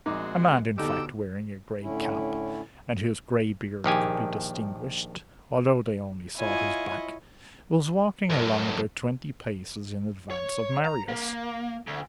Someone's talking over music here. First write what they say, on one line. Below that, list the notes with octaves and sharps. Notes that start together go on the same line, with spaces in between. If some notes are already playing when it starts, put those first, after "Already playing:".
A man, in fact, wearing a gray cap, and whose gray beard could be distinguished, although they only saw his back, was walking along about twenty paces in advance of Marius.
A#1 G#3 C4 D#4 F#4 D6
D2 B2 D#4 G4 A4 D6 E6
A2 D3 C#4 E4
A#1 D#3 G4 G#5
E4 F4 C#5 D#5 G#5
F#2 A2
C#5
A#5
A#3
D2